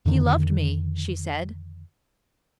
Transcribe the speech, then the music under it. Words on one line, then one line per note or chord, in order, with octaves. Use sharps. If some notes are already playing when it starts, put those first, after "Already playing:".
"He loved me," she said.
F2 D3 D#3